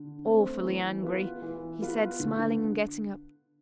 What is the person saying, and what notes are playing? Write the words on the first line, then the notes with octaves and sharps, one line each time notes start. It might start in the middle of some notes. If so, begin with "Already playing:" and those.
"Awfully angry!" he said, smiling and getting up.
Already playing: D3
A3 C4
E3
B3 F4 B4
E3
B3 F4 B4
D3